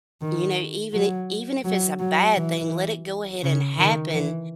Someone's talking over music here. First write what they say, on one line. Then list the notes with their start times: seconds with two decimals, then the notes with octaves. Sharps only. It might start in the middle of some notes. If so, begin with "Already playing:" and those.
you know, even i even if it's a bad thing, let it go ahead and happen
0.21 D#3
0.92 F#3
1.64 F#3
1.99 F#3
2.35 E3
3.43 C#3
3.78 D#3
4.14 E3